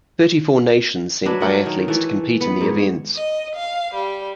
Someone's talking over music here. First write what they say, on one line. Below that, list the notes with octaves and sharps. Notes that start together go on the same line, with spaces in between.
Thirty-four nations sent biathletes to compete in the events.
F#3 D4 B4 E5
A3 A#4 F#5
D#3
E3 A3
B3
G#2 C#5
D#5
F5
G3